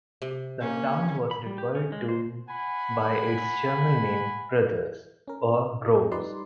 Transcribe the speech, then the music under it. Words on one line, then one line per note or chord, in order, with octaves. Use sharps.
The town was referred to by its German name, "Brothers" or "Broos".
C3
A#3 C#4
B5
G3
G4
C#4
G#3
C5
F#5 G#5 B5
C#4 A#4
G3 D#4 B4 D5 C6